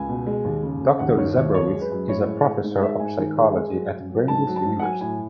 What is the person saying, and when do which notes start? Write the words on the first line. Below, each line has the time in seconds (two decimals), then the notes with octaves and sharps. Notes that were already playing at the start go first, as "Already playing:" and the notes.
Doctor Zebrowitz is a professor of psychology at Brandeis University.
Already playing: C#2 G#5
0.09 B2
0.27 G#3
0.44 D#2
0.63 C#3
0.81 C#3
0.99 D#2 F#5
1.17 D#3 C#5
1.36 D#2 C#5
1.54 F#2 C#5
1.72 G#3
1.81 B4
1.91 F#2
2.09 A2 C#5
2.27 G#3
2.46 G#3
2.64 G#2
2.82 G#3 E5
3.00 G#2 G#5
3.19 D#3
3.37 G#3
3.55 G#3
3.73 F#3
3.91 F#3
4.09 F#3
4.28 G#2 A5
4.47 F#3
4.56 A5
4.65 G#2
4.79 F#5
4.82 F#3 G#5
5.01 A2 G#5